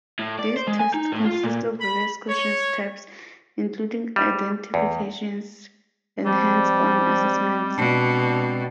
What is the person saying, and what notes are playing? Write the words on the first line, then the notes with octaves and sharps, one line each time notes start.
These tests consist of various question types, including identifications and hands-on assessments.
A2
D5
C5
G#3
G#5
D#4
A2
F4
A#2
B5
C#5
G3
E2
F3 G3 G#3 C4 D5
B2 D4